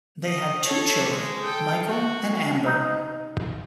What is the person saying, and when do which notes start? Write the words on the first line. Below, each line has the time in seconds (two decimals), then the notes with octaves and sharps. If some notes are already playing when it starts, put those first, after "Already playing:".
They had two children, Michael and Amber.
0.25 D#5
0.63 A4 C#5
1.11 G#3 G#4
1.43 A4 G5
1.88 F#4
2.66 D#4